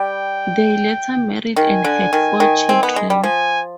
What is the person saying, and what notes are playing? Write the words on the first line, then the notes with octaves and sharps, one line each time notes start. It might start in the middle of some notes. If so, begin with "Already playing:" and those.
They later married and had four children.
Already playing: G3 G5
D#3 G#5
D3
D#3
D#3
C4
B3
G#3
G3
F3 G#5